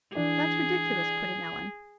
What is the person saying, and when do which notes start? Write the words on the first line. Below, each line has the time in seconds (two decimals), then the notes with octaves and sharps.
"That's ridiculous!" put in Ellen.
0.15 E3 D4 G#4 D5